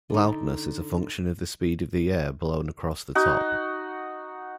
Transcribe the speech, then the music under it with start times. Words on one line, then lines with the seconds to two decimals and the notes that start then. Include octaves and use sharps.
Loudness is a function of the speed of the air blown across the top.
0.10 D3 D#4
3.15 D#4 F#4